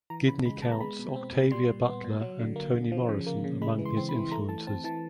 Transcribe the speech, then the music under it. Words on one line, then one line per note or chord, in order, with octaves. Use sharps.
Gidney counts Octavia Butler and Toni Morrison among his influences.
E3 A#5
C#3 B5
G#3 B5
B3 A5
A#5
G#3 B5
B2
C4
B2
G3 C6
A#2
B3
A#2
F#3
D3
A#3
D3
F3
C#3
A#3
C#3
G#3 B5
E3
C6
C4
B5
E3
A3 A#5
E3 A5
C4 A5
E3 A5